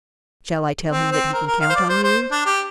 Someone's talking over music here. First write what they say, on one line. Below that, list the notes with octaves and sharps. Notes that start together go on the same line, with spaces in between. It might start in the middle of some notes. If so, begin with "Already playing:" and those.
"Shall I tell him that he can count on you?"
C4
C4
A#4
A#4
F5
C5
D5
C5
C5
D4
G4